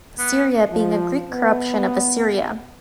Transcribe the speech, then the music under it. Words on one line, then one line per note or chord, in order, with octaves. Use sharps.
Syria being a Greek corruption of Assyria.
B3
F3
B3